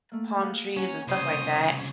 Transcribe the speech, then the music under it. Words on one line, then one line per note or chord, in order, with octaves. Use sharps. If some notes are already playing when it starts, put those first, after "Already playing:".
palm trees and stuff like that.
A3 A#3
G#4 F5 F#5
C#4 F#5 A#5
C2 C#3 C5 D#6